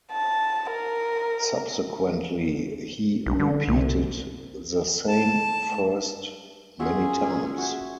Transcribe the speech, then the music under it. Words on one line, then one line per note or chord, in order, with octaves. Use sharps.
Subsequently, he repeated the same "first" many times.
A5
A#4
B1
D3
C2
A5
C#4 F4 F#4 G#4 E5
F#4 E5 G#5